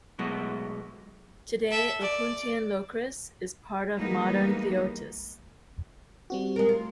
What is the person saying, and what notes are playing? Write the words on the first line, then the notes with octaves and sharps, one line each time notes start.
Today, Opuntian Locris is part of modern Phthiotis.
B2 F#3 G#3 A3
A4 E5
D5
E3 G3 G#3 A#3 B3 D#4
G3 C4 F#4
G#3 A#4
F4